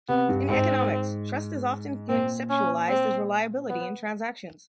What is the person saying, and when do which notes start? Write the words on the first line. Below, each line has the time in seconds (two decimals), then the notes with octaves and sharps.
In economics, trust is often conceptualized as reliability in transactions.
0.09 C3 B3
0.29 G2
0.49 G#2 C4
2.09 A#2 C4
2.50 C#4
2.89 C4
3.70 B3